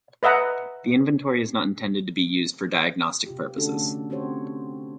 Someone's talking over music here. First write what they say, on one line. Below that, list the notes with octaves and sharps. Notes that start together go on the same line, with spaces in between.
The inventory is not intended to be used for diagnostic purposes.
B4 D#5 E5 F#5 A#5
C3 F4 G4
D3 A3 C#4 D4 F#4 A4
C4 C#4 F#4 G4 C5 C#5